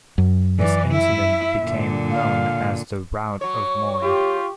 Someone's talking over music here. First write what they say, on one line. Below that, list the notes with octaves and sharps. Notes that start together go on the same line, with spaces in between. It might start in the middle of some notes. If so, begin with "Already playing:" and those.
This incident became known as the "Rout of Moy".
F#2
E3 D5
E4 E5
A#2 D3
F5
F#3 C#5 C#6
F4 G4